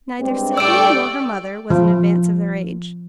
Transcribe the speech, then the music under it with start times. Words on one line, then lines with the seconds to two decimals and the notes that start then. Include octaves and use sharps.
Neither Sylvia nor her mother was in advance of their age.
0.20 G2 G#3 C4
0.58 A2 D3 G3 D5 G5 C#6 E6 D7
1.70 F3